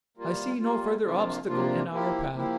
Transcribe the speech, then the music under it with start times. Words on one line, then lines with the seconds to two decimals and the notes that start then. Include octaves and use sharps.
I see no further obstacle in our path.
0.17 G3 A#3 F4
0.60 G3 A#3 F4
1.04 C3 F3 A#3 D4 F4
1.47 C3 F3 A#3 D4 F4
1.91 F3 A#3 E4 G4
2.34 F3 A#3 E4 G4